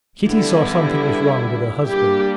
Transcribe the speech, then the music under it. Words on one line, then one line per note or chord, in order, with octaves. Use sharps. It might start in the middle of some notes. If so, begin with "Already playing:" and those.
Kitty saw something was wrong with her husband.
D3 G3 B3 E4
G3 A#3 D4 G4